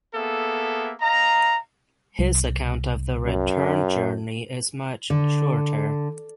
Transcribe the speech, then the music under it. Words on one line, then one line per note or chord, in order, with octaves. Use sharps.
His account of the return journey is much shorter.
A#3 B3 G#4 A4 E5
D#5 F5 A#5
C2
F#2
D3